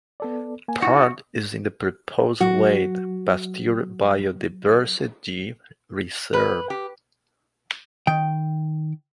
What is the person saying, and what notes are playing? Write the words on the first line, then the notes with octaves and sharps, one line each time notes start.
Part is in the proposed Lake Pasteur Biodiversity Reserve.
B3 A4 D5
A#3 G#5
D#4 E4 F#4
F#3 F#4
B4
G4
D#3 G5